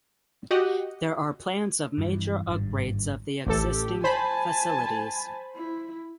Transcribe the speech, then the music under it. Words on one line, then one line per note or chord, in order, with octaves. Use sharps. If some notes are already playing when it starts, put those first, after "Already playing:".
There are plans of major upgrades of the existing facilities.
F#4 G4 D#5 F#5
G2 E3
G#1 G2
A1 G4 A4
C5 G#5 A5 B5
E4